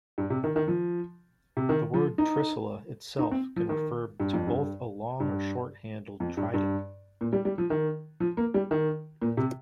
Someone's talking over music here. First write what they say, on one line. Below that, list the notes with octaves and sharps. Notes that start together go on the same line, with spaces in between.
The word "trisula" itself can refer to both a long or short-handled trident.
G2
C3
D#3
D#3
F3
C3
D#3
F3
D#4
D#4
C4
F3
D#3
G2
F2
G2
G2
F2
G2
G2
A#2
G3
G3
F3
D#3
F3
A#3
G3
D#3
A#2
C3